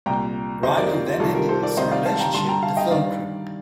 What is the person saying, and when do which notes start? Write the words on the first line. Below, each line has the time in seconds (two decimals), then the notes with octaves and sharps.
Rhino then ended its relationship with The Film Crew.
0.06 C2 A#2 G5 A#5
0.63 F2 C3 D#3 C5 D#5
0.77 A#4 D5
0.92 F4
1.06 G4
1.20 C2 C3 D#3 F4 A4
1.35 G4 A#4
1.49 A4 C5
1.63 A#4 D5
1.77 C2 C3 D#3 C5 D#5
1.91 D5 F5
2.06 F5 A5
2.20 G5 A#5
2.34 G2 D3 A5 C6
2.48 G5 A#5
2.62 F5 A5
2.77 D#5 G5
2.91 G2 D#3 D5 F5